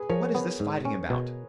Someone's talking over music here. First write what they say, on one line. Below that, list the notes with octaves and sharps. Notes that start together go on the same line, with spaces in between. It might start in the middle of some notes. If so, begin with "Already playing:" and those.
What is this fighting about?
Already playing: G#4 B4
F3 A#4 C#5
B3
G#2
C#4
B2